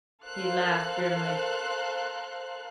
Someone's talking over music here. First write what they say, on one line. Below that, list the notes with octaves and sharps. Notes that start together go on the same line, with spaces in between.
He laughed grimly.
A4 A#4 C5 F5 C6 F#6